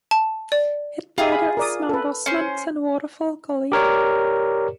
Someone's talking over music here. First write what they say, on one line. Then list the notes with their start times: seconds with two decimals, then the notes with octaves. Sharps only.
It borders Mount Osmond and Waterfall Gully.
0.11 A5
0.52 D5
1.18 F4 G4 G#4 E5
1.32 B5
1.57 A#4 D5 D#6
1.89 A4 B4
2.26 C#4 C5
3.72 G4 A#4 C#5 D5